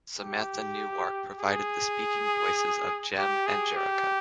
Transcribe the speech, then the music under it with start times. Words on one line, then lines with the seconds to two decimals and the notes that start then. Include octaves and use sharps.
Samantha Newark provided the speaking voices of Jem and Jerrica.
0.19 G4
1.38 G#4
3.18 G4
3.47 G#4
3.76 G4